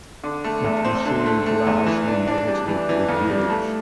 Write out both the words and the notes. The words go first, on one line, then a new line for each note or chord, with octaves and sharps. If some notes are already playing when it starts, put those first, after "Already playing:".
It received largely negative reviews.
D3
A3
E2
C4
D3
A3
A3
E2
E3
D4
D4
G3
E3
E3
F2
G3
A3